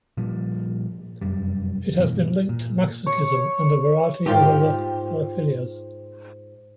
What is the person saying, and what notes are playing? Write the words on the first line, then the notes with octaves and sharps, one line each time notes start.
It has been linked to masochism and a variety of other paraphilias.
A#2 F3 G3
F1 F#2 G3
G2 B2 E3
A#2
C#5
G#2 F4 G4